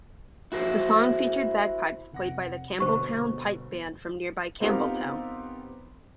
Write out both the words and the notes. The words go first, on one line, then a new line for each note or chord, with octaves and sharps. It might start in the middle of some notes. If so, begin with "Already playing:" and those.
The song featured bagpipes played by the Campbeltown Pipe Band from nearby Campbeltown.
E4 F#4 A#4 C5
F1 F#5 A#6
G1 B2 D3 C5 C#6
B3 C4 D#4 F4 G4 A#4